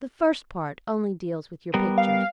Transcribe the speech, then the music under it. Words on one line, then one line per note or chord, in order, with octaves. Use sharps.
The first part only deals with your pictures.
G3 B3 A#4
F5